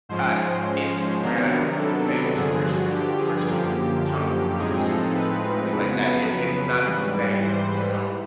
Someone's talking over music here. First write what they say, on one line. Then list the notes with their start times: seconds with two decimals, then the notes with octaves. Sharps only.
uh, Instagram famous person versus Tom Cruise or something like that, it it's not the same, you know?
0.09 G#2 F3 G#3 C#4 C5
1.22 C3 D#3 F#3 B3 D4 A#4
1.79 A4
2.34 G2 D3 F3 G#4
2.63 F#4
2.90 G4
3.19 G#4
3.47 F#2 D3 F3 A#3 G4
4.59 A2 F3 G#3 C4 D#4 G#4
4.87 A4
5.15 B4
5.72 F2 C#3 F#3 B3
6.28 B4
6.84 G#2 E3 G3
7.40 C5
7.69 B4